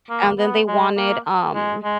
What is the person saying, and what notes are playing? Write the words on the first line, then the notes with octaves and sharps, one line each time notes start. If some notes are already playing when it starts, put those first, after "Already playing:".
and then they wanted, um,
A#3
B3
G#3
A#3
G#3
G#3